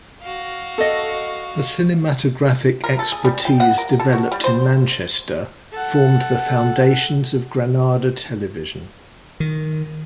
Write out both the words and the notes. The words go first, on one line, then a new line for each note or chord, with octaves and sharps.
The cinematographic expertise developed in Manchester formed the foundations of Granada Television.
F#4 F5
A4 D#5
A#4
A4
G#4
G3
G5
F#5
A#4
A4
F#4
G3
C5
A4 F#5
D#3